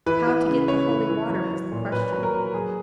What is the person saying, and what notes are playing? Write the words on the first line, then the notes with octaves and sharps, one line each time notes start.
How to get the holy water was the question.
E3 B4
E3
C#3
C#3 C#5
E3
E3
F#3
F#3
A#2
A#2 B4
F#3
A#4
F#3
F#3 G#4